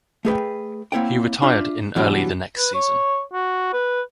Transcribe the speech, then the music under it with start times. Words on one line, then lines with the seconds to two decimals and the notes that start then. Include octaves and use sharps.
He retired in early the next season.
0.25 A3 G#4 B4 G5
0.92 A#3 C4 E4 C#5 F#5 G5
1.42 D4 F4 E5
1.96 B2 E3 F#3 G3 D4
2.57 B4
2.74 C#5
3.33 F#4
3.73 B4